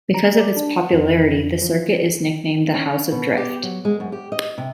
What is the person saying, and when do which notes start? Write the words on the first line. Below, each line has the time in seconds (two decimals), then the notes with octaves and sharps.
Because of its popularity, the circuit is nicknamed the "House of Drift".
0.14 A#5
0.40 D5
0.56 D4
0.78 F#5
0.92 F2
1.62 F3
2.74 C#4
3.11 B2
3.37 G4
3.63 F#3
3.85 G#3
4.00 F#2
4.12 G4
4.32 D#5
4.58 C3